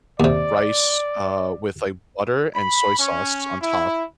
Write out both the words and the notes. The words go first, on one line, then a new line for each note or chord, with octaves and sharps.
rice, uh, with like butter and soy sauce on top,
D#2 C3 D5
B5
C#4
E4